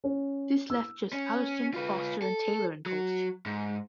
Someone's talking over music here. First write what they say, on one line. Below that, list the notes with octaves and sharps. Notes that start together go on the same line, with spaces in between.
This left just Allerston, Foster and Taylor in post.
C#4
E6
C#4
F4 B4
A4
F#3
G#2